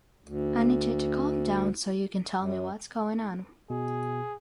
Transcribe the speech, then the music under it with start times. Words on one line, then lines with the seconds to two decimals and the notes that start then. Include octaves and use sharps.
I need you to calm down so you can tell me what's going on.
0.24 D2
2.38 F#2
3.70 B2 G#4